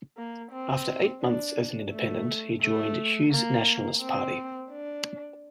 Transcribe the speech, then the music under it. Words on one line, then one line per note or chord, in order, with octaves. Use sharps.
After eight months as an independent, he joined Hughes' Nationalist Party.
A#3
C4
D4
A3
A3
A#3
C4
D4